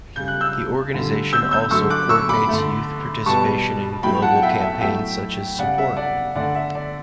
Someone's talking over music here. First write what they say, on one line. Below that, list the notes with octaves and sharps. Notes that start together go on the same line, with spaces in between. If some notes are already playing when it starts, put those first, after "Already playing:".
The organization also coordinates youth participation in global campaigns such as Support.
C#3 G3 G6
F#6
E6 G6
D3 G3
E6 G6
E6 G6
D3 F#3 A3 C#6 E6
D6 F#6
C#6 E6
B5 D6
D3 A3
B2 G3 A5 C#6
A2 F#3 A3 G5 B5
F#5 A5
E5 G5
E5 G5
A2 F#3 A3 E5 G5
C#3 G3 D5 F#5
E5
D5 F#5
D3 A3 D5 F#5
E5
D5